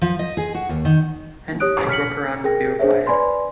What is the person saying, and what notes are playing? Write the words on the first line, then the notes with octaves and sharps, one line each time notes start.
Hence, a workaround would be required.
F3
D#5
G#4
F#4
D#2
D#3
G4 C#5 D#6 F#6 D7
F6 B6 C#7 F#7
G#4 A#4 G5 A#6
D4 G#4 C5 C#5 E5
B4 D5 G#5 B5 C6